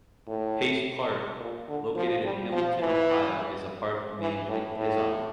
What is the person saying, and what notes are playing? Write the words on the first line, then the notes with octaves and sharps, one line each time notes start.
Pace Park, located in Hamilton, Ohio, is a park named in his honor.
A2
A#2
D3
F3
G3
F3
E3
E3
A2
A2